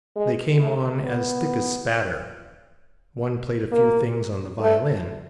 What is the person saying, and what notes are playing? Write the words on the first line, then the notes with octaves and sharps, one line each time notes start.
They came on as thick as spatter. One played a few things on the violin.
G#3
A3
B3
A#3
A3